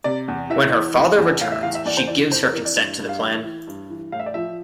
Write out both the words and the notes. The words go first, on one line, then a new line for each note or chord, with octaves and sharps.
When her father returns she gives her consent to the plan.
C3 D5
E2
E3 E5
E3
E2
E2
A2 F5
E5
E3 F5
E5
E2 D5
C5
E3 D5
F2 C5
A#4
E3 A#4
D5
G2
G2
F5
E3 E5
E3
G2
E3
A2 F5
E5
D5
F3 E5